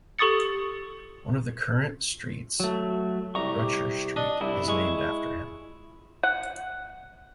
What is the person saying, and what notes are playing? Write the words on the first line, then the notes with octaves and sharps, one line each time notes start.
One of the current streets, Brutscher Street, is named after him.
G4 A4 C#6 D#6 A6 C#7
F#3 A3
C2 G4 A#5 C#6
D4 D#5
C2 E4
G#3 C#6
F#5